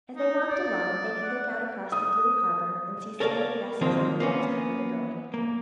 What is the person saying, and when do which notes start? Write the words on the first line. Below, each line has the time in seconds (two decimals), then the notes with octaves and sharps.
As they walked along they could look out across the blue harbor, and see sailing vessels and rowboats coming and going.
0.16 D#4
0.47 D5
1.23 F#5
1.92 D#6
3.20 A4 A#4 C#5 D5 F5
3.81 D#3 F3 F#3 A#3 C4 D#4
4.20 A#3 B3 C#4
5.34 A#3